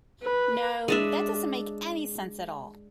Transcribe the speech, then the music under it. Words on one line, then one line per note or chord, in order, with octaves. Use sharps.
No, that doesn't make any sense at all.
B4
G#3 D4 E5